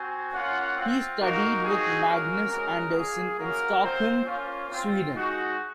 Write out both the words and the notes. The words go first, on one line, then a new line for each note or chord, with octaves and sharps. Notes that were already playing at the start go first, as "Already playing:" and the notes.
He studied with Magnus Andersson in Stockholm, Sweden.
Already playing: C4 F#4 G#5
A#3 C#4 F4 F#5
C4 F4 F5
A#3 D#4 F#4 A#4
C4 D#4 F#4 G#4
A#3 C#4 F#4 A#4
G#3 C#4 F#4 A#4
A#3 F4 G#4
A#3 C#4 F#4 A#4
C4 F4 C5
A#3 C#4 F4
C4 F4
G#3 D#4 F#4